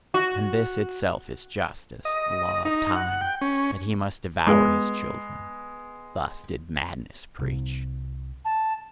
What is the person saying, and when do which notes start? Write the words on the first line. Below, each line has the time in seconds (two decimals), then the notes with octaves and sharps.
"And this itself is justice, the law of time--that he must devour his children:" thus did madness preach.
0.14 F#4
2.05 D#5
2.65 D#4
2.96 F#5
3.21 G5
3.41 C#4
4.47 G#3 B3
7.39 C2 C3
8.45 A5